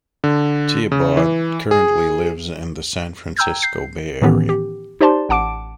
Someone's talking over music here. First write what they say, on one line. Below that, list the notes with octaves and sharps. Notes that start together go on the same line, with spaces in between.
Thiebaud currently lives in the San Francisco Bay Area.
D3
C#3
E3
G#4
G5 A#5 E6 G6 G#6
G6 C7
A2 D#3 E3 B3 C#4 G4
G4
D#4 G4 C5 D5 A5 C6
A1 F#5 A5 D6 D7